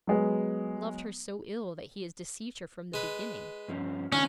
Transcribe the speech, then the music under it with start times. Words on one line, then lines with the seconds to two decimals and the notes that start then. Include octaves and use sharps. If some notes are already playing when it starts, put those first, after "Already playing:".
'Loved her so ill that he has deceived her from the beginning.'
0.07 F#3 G#3 B3
2.94 G#3 B4
3.68 G2 F3 C#4
4.12 C#2 D#3 C#4 D4 F4